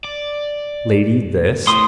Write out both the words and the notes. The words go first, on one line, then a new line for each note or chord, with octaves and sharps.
Lady this.
D5
A2 C6 D#6